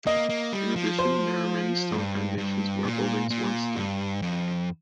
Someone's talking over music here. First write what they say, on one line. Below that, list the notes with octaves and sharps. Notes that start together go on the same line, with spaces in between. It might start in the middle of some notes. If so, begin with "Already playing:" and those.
In addition, there are many stone foundations where buildings once stood.
A#3 D#5
A#3
G3
F3
C5
G2
G2
A#2
A#2
G2
F2